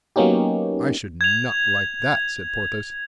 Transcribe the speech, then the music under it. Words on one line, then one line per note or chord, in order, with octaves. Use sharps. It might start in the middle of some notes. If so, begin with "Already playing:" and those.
"I should not like that," said Porthos.
F#3 A#3 B3 C#4 D#4 G4
G#6 F7